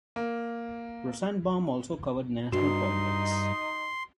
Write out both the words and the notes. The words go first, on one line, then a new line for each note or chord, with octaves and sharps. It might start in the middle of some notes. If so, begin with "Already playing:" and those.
Rosenbaum also covered national politics.
A#3
G2 D#4 F#4 C6